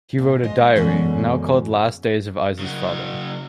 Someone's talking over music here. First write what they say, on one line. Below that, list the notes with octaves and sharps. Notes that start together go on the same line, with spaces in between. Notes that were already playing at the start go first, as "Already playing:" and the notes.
He wrote a diary, now called Last Days of Issa's Father.
A#2
G#3 C5 D#5
F#2 B2 D3 E3 G#3 C#4
C#3 F#3